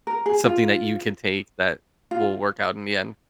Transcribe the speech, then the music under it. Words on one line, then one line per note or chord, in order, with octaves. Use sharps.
something that you can take that will work out in the end."
A#4
G#4
F4
F4